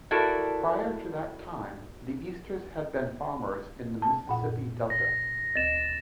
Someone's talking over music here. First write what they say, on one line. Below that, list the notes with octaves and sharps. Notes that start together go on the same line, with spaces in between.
Prior to that time, the Easters had been farmers in the Mississippi Delta.
E4 F#4 A4 A#4 D5
A5
F#2 A#2 F#5
A#6
D2 A6 E7